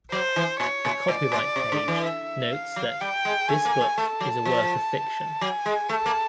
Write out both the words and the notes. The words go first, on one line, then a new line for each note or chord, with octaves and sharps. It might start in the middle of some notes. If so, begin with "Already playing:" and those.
The copyright page notes that "This book is a work of fiction".
F#3 C5
E3
A#2 C#5
A#2
A2 D5
A#2
C3
D3
E3
E5
F5
F#3
G3 G5
G#3
A3 G#5
A#3
A3
A3 A5
F#3
F3
F#3 G#5
G#3
A3 A5
A#3